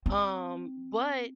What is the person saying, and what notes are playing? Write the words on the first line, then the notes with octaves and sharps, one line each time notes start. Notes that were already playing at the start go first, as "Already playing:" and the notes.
um, but
C4